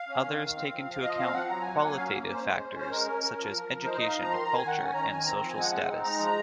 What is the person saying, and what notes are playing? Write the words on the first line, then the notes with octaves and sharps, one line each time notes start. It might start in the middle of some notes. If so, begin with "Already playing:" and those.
Others take into account qualitative factors, such as education, culture, and social status.
Already playing: F5
C#4
D#3
D#3
C4
F3
F3
F3 D#5
C4 F5
F3 F#5
F#3 A#5
A#3 G#5
F#5
F#3 G#5
C#4 F5
A#3
C#4 C5
G#3
C#4
C#4
C5
G#3 A#4
C#4
C#4
F3
F3
F3
D#4 C5
D#4 D#5
F5
F3 A#5
D#3 C6
D#3 A#5
G#5
D#3 F#5
C#4
G#5
D#3 A#5
D#3 G#5
C4 A#5
F3 A#5
G#5
G#3 F#5
C4 F#5
D#4
G#3 A#5
F3 A#5